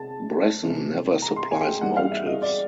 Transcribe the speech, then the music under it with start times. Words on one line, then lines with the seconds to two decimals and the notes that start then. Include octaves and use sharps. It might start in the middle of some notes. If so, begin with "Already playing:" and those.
Bresson never supplies motives.
Already playing: C3 A5
0.62 C3 E3 G#3 C#4
1.22 A#5
1.36 C6
1.51 G#5
1.67 G5
1.81 E3 G3 A#3 D#4 F#5
1.97 F5
2.11 E5
2.26 D#5
2.42 D5